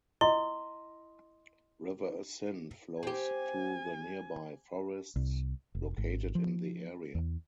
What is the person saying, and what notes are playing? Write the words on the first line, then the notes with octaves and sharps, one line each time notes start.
River Sind flows through the nearby forests located in the area.
E4 D#5 C6
C4 G4 G#5
C2
F1
G#1
F3
E2